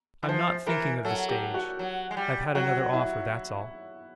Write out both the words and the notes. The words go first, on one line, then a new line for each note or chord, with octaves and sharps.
"I'm not thinking of the stage. I've had another offer: that's all."
E3
F3 C5
E3 A#4
F#3 A4
G4
F#4
F#3
G#3
G3
F#3 F#4
E4